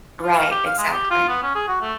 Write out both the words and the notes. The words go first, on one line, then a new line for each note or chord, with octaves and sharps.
Right, exactly.
F4
F5
G4
F5
G#3
G4
F4
B3
C#4
G#4
F#4
A3